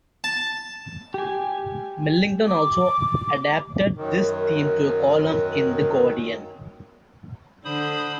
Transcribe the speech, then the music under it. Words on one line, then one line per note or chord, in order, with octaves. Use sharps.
Millington also adapted this theme to a column in "The Guardian".
A5
G4 G#5
D6
F#2 D#3
D3 C5 B5 D#6